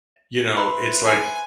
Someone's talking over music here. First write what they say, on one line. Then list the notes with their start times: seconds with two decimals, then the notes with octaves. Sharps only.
you know, it's, like,
0.56 B4 C5 E5
1.05 G#5